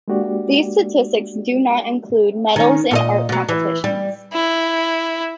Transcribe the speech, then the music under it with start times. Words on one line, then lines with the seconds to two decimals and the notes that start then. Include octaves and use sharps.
These statistics do not include medals in art competitions.
0.08 G#3 A#3 D4 F#4 G4 D5
2.56 D#3 C#4
2.91 A#2 A4 D#5
3.29 B2 F#3
3.48 E3
3.84 G3
4.33 E4